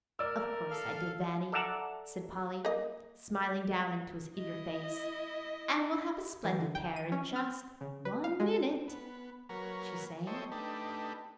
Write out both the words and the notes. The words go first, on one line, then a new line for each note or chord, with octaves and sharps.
"Of course I did, Vanny," said Polly, smiling down into his eager face, "and we'll have a splendid pair in just--one--minute!" she sang.
A#4 D5 E6
A4 F5 F6
A4 D5 E5 F#5 A5 A#5
A#3 D#5
E4 D#5
E3
D3
G5
D#7
C#4
F6
C#3
B4
F5
G#3
B3
F#3 A#3 A#4 B4 C#5
A4 C5 C#5 D#5 E5 G5
A3 D4 D#4 G4 B4